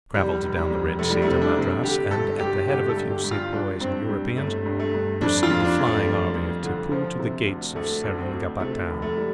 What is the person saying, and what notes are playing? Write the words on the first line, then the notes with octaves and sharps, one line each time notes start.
I travelled down the Red Sea to Madras, and at the head of a few Sepoys and Europeans pursued the flying army of Tippoo to the gates of Seringapatam.
F1 G3
F1
G3
F2
F1 A3
G3
A3
C3
D4
C3
D3 G4
G2 A4
G2 G4
D3 G4
A4
G2
G4
G2
F4
G2 D4
G2 C4
G2 G3
G1 A3
G2
A3
G2
F2 D4
F4
F2
D4
F2
A3
F2
F2
D3
F3
C3
D2
D2 A3
D2
C4
D2
C3 A3
F1
A3
G3